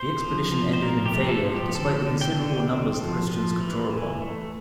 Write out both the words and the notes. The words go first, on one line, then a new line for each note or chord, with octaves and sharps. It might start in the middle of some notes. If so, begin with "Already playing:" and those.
The expedition ended in failure, despite the considerable numbers the Christians could draw upon.
Already playing: C5
F3
F3
C5
F3 A#4
G4
A3
A4
F3
G4
D3 A4
D3
G5
D3
C4
F3
F3
E3
E3
A3